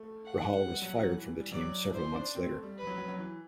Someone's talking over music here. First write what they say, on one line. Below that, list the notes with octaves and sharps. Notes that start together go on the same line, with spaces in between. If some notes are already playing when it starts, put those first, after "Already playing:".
Rahal was fired from the team several months later.
Already playing: A3
F#5
G3
F#3
F#3
E3
G3
F#3 D5
E4 C5
D4
C4
A3
G3
B4
F#3
F#3
F#3
E3